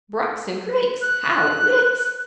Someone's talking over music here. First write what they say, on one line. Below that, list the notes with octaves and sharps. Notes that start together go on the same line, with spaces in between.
"Brooks and creeks, How it leaks!"
F#6